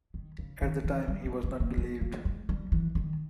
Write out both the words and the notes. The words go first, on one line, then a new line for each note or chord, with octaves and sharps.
At the time, he was not believed.
D#3
C#3
D#3
E3
G3
A#3
G#3
A#3
B3
A#3
G#3
G3
E3
D#3